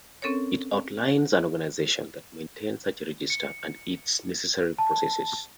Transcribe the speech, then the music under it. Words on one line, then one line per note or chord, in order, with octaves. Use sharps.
It outlines an organisation that maintains such a register and its necessary processes.
C4 C#4 A4 A#4 C#5
C#7
A5